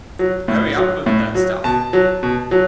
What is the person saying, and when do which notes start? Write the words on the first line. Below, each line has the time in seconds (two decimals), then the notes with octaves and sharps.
Hurry up with that stuff.
0.19 F#3
0.48 A2
0.77 F#3
1.06 A2
1.35 F#3
1.64 B2 A5
1.93 F#3
2.23 B2
2.51 F#3